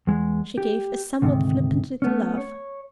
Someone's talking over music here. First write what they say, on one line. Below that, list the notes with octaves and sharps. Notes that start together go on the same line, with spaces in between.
She gave a somewhat flippant little laugh.
E2 G#3
G4
D2 G#2 C3 D#3
A3 B3 C#4
C#5